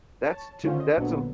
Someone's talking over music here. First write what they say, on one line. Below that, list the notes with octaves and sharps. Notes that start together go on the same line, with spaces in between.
that's to that's a
C#5 A5
D3 D#3 A3 C#4 F4 C5
D#5
A#1 D3 F#3 B3